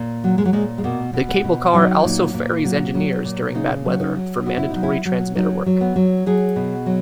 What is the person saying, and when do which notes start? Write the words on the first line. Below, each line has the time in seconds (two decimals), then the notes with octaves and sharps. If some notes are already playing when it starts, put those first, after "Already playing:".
The cable car also ferries engineers during bad weather, for mandatory transmitter work.
Already playing: A#2
0.24 F#3
0.38 G#3
0.45 F#3
0.53 A#2 G#3
0.78 G#3
0.84 B2 A#3
1.13 B2
1.29 B3
1.44 B2
1.73 F#3 D#4
2.05 A#2
2.34 A#2
2.64 F#3
2.95 F#3
3.25 A#2
3.55 C#3 D#4
3.86 F#3
4.01 D#4
4.16 F#3
4.46 B2 F#4
4.58 E4
4.71 F#3 D#4
4.83 E4
5.05 F#3
5.35 F#3 D#4
5.66 F#3
5.81 B3
5.96 F#3
6.26 F#3 G#4
6.56 B2
6.86 F#3